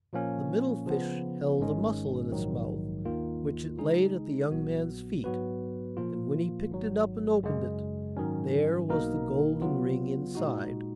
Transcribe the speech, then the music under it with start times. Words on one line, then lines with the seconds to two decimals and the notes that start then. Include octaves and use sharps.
The middle fish held a mussel in its mouth, which it laid at the young man's feet, and when he picked it up and opened it, there was the golden ring inside.
0.13 A#2 F3 A#3 C#4
0.86 C#3 F3 B3
1.59 G#1 G#2 D#3 G#3 C#4
2.32 A#1 G#2 D#3 F#3
3.05 D#2 D#3 A#3 F4
3.78 C#3 G#3 D#4 G#4
4.51 A#1 A#2 F#3 B3 F#4
5.24 G#2 F#3 B3 F#4 B4
5.97 A#2 F3 A#3 F4
6.70 G#1 G#2 F#3
7.43 F#2 C#3 G#3
8.17 G#2 D#3 F#3 C#4
8.89 B1 B2 A#3 D#4 A#4
9.62 C#3 F#3 B3 F4
10.35 A#2 G#3 D#4 F#4